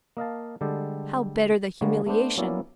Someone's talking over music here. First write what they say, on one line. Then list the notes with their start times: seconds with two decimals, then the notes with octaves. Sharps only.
How bitter the humiliation!
0.17 A#3 D#5 F5 A5
0.61 D3 G3 G#3 G4 A4
1.81 D3 G3 G#3 A#3 C#5
2.07 A3 B3 D4 C5
2.37 F#3 A#3 B3 C#4 E4 D5